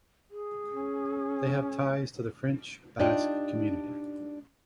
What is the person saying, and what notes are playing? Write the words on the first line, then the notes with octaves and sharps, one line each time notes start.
They have ties to the French Basque community.
G#4
C#4
D4 D#4 F4 G4 D5